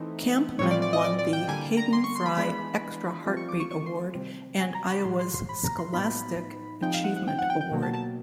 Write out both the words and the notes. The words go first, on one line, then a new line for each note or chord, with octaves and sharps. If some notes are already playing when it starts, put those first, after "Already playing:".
Kampman won the Hayden Fry "Extra Heartbeat" award and Iowa's Scholastic Achievement award.
Already playing: E3 A3 C4 D#4
A2 E3 G3 C4 F4 C#5
D5
D5
D#5
D5
D5
G5
D3 G3 A#3 G#5
A#5
C6
C#6
C6
B5
E3 G#3 B3 D4 B5
F3 A3 C4 F4
C#6
D6
C#6
C#6
C6
C3 D#3 G3 C4
G#5
A#5
B5
A2 E3 G#3 C6
C6
C6
B5
A#5
C6
A2 F#3 B3 D#4 B5
F3 G#3 C4 D#4 G5
F5
F#5
F#5
G5
F#5
G5
G5
B2 F#3 A#3
A5
A5